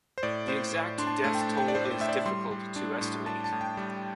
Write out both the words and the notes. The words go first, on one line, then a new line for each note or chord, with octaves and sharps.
The exact death toll is difficult to estimate.
C5
A2 D5
A2 C5
A2
D4 C6
A5
A3 C6
G5
A5
A2
G5
D5
A2 C5
D5
C5
A2 E5
D5
G3 C6
G3
D4
A2
D4 A5
A5
A2
G5
G3